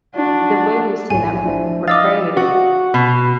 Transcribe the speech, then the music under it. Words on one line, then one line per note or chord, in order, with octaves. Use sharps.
the way we've seen that por portrayed,
D4 F#4
B1 A2 G#5
F3 D4 E4
D#5 F5 D6 E6 A6
F#4
B2